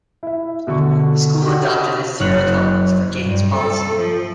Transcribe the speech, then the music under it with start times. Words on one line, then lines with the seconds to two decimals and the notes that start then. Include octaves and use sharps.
The school adopted a "zero tolerance for gangs" policy.
0.23 E4 E5
0.67 B2 D3 A4 C#6
1.42 F#4 G4
2.20 F#1 C#5 F#6
3.24 G2
3.56 A4
3.97 F3